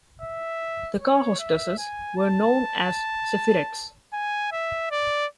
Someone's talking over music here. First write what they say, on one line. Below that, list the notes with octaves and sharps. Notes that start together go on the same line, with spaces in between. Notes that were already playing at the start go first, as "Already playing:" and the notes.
The car hostesses were known as Zephyrettes.
E5
C#5
E5
G#5
A5
G#5
E5
D5